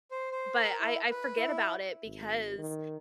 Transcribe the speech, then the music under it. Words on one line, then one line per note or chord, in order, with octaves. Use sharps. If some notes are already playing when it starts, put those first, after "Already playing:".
But I I forget about it because
C5
C5
A#4
E4
B4
E4
G#1
D#3